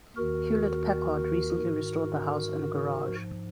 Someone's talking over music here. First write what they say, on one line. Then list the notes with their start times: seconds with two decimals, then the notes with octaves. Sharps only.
Hewlett Packard recently restored the house and garage.
0.16 D#2 D#3 F#4 A#4
1.59 G#2 D#3
3.01 G#2 F3